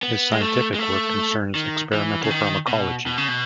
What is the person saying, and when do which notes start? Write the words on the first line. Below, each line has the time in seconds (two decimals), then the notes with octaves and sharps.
His scientific work concerns experimental pharmacology.
0.03 B3
0.32 G#3
0.41 A3
0.74 G#3
0.79 A3
1.55 D#3
1.93 E3
2.24 C#3
2.31 D#3
2.68 B2
3.07 B2
3.18 C#3
3.28 B2